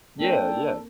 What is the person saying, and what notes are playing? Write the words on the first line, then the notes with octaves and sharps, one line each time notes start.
Yeah, yeah.
A#3 C4 D4 A4 A#4 G5